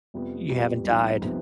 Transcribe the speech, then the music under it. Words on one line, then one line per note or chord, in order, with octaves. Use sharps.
You haven't died.
F2 C3 G3 B3
F2 C3 G3 B3
C2 C3 F3 B3 D#4
C3 F3 B3 D#4